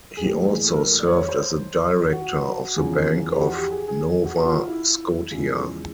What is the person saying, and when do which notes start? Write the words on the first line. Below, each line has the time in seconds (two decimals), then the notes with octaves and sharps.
He also served as a director of the Bank of Nova Scotia.
0.17 G#4
0.22 A2 E3 G3 A#3 G4
0.44 G#4
0.65 A4
0.76 A#4
0.86 A4
1.00 D5
1.07 C#5
1.28 C5
2.13 F#4
2.76 E2 C#3 F3
3.33 G4
3.40 F#4
3.56 G4
3.71 G#4
3.88 G#4
4.25 F#4
4.40 F#4
4.45 F4
4.67 E4
5.31 E2 C#3 F3 G#3